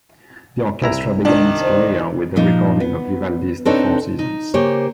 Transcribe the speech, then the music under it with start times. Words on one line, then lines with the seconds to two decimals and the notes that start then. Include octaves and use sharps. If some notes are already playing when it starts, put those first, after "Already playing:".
The orchestra began its career with a recording of Vivaldi's "The Four Seasons".
0.82 C2 E4 A#5
1.25 D#3 D4
1.62 C5
2.36 A#2 F3 D#4
2.80 B3
3.65 C4 D4 D#4 A4 B4 C#5
4.19 D#4
4.54 C#3 A#3 G4 C5 C#5